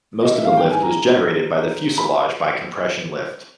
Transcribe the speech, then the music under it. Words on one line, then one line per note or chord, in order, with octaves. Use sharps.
Most of the lift was generated by the fuselage by compression lift.
D#5
E5
G#1 G#2 E3 G3 F5
G5
G#5
A#5
B5